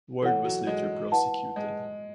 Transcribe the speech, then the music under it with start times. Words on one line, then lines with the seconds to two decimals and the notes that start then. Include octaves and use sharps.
Ward was later prosecuted.
0.22 E3 A4 C#5 F#5
0.45 F#3
0.67 G#3
1.12 E4 B4 F#5 A5
1.56 G#3